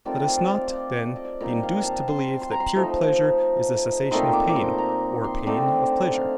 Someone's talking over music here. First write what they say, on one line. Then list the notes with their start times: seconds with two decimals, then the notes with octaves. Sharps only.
Let us not, then, be induced to believe that pure pleasure is the cessation of pain, or pain of pleasure.
0.05 D#3 A3 C4 F4 D5
0.28 F5
0.39 D#5
0.50 D5
0.68 D5 D#5
1.06 D5
1.16 D#5
1.25 D5
1.41 A#2 G3 C4 D#4 D#5
1.63 F5
1.85 A5
2.09 C6
2.42 C6
2.51 A#5
2.60 C6
2.75 F3 A3 D#4
4.11 A#2 A3 C4 D#4 C6
4.33 D6
4.49 D6
4.56 C6
4.78 A#5
5.24 C6
5.46 D3 A3 C4 D#4 D5
6.14 F5